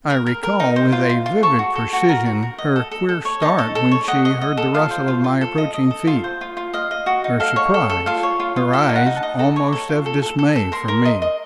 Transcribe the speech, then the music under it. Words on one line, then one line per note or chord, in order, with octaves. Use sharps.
I recall with a vivid precision her queer start when she heard the rustle of my approaching feet, her surprise, her eyes almost of dismay for me.
A#4
A#4
A#4
D#4
C5
F4
F4
F4
A4 C#6
F#4
A4
F#4
A#4 A#5
F#4
A#4
D#5
A4
A4
A4
C#5
D#4 A5
A4
A4
C#5
D#5 F#5
D#5
D#5
A4
F4 F5
C5
F4
F4
A4
D#5
D#5
A4
F4
C5
F4
F4
D#5 F5
D#5
F#4
D#4
A4 F5
C#5
A4
A4
F4 F5
C#5
F4
F4
A4 F5
D#4
F#5
D#4
A5
D#5
A4 A#5
C#5
A4
F4
A4
A4
A4
A4
A#4 C6
A#4
D#5
D#5